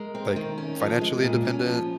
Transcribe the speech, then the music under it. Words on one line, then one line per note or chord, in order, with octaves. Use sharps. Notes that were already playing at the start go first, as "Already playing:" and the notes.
like, financially independent.
Already playing: G#3 A#4
C4
D#3
C#4
F3
G#3
A#2
C#4
F3